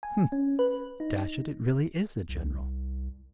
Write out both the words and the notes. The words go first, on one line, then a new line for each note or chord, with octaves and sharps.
Hm, dash it, it really is a general!
G#5
C#4
B4
D#4
C2